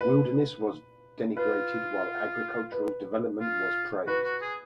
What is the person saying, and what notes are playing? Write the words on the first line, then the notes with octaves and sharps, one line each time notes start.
Wilderness was denigrated while agricultural development was praised.
B4
F4 B4
B4
F4
F#4 B4
F#4
G#4